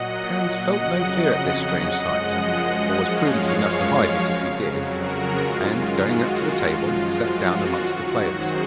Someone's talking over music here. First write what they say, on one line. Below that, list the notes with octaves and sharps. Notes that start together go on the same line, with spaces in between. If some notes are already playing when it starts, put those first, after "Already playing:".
Hans felt no fear at this strange sight, or was prudent enough to hide it if he did, and, going up to the table, sat down amongst the players.
Already playing: A#2 F#3 D#5 F#5
F2 C#3 F#3 D#5 F#5
F#2 F3 G#3 D#5 F#5
D#5 F#5
F#2 F3 G#3 C#5 F5
F2 C#3 F#3
F#4 A#4
F4 G#4
F#2 D#3 G#3 F4
F#4
F#2 F3 G#3 F4
F#4
F#2 D#3 F#3
G#4 C5